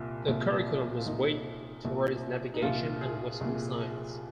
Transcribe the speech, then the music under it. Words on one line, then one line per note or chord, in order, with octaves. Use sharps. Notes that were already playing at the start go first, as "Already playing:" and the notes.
The curriculum was weighed towards navigation and western science.
Already playing: C2 A#2
C2 A#2
F4
C2 A#2 D#4
C2 A#2
D#4
C2 A#2 F4
G#4
C2 A#2